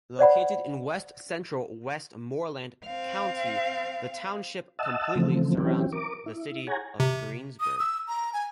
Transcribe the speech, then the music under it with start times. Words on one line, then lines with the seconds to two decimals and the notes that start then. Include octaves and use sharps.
Located in west-central Westmoreland County, the township completely surrounds the city of Greensburg.
0.19 C5 D5 F#5 B5
2.86 C4 F5
4.79 D#5 E5 F#5 A5 E6
5.16 C#3 E3 F3 A3 C4
5.57 E3 F#3 C4 C#4 E4 G4
5.92 A#4 D6
6.26 E4
6.67 G#4 C#5 F#5 G#5 A#5
7.00 C3
7.60 D#6
7.79 E6
8.08 A#5
8.33 G#5